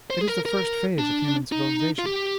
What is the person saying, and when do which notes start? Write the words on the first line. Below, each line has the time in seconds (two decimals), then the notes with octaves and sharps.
It is the first phase of human civilization.
0.10 C5
0.21 G#4
0.28 A#4
0.46 A#4
0.98 D4
1.52 D#4
1.99 F4
2.06 G4